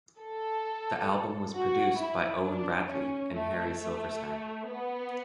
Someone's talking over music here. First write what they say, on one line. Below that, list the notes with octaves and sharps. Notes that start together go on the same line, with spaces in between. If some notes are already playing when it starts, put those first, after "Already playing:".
The album was produced by Owen Bradley and Harry Silverstein.
A4
F#4
E4
D4
C#4
A3
A3
B3